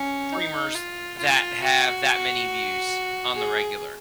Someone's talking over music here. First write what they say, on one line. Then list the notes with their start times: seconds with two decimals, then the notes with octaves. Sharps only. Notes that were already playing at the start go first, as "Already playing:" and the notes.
streamers that have that many views on the regular.
Already playing: C#4
0.32 D#4
0.75 F4
1.18 F4
1.62 F#4
3.35 G#4